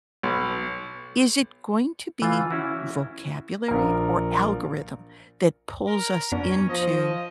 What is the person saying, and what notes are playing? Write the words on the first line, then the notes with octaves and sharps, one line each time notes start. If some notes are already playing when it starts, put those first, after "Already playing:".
Is it going to be vocabulary or algorithm that pulls us into
B1
E3 F4
C#4 E4 F#4
A#1 A#4
A#4
F#2 B3 C#4 D4
F3 D#5